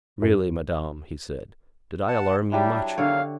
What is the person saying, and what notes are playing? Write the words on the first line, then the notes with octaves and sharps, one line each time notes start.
"Really, madame," he said, "did I alarm you much?"
F#2
F#5 A5
F#3 G3 D4 E4 G4
E2 D3 D#3 F#3 C#5 F5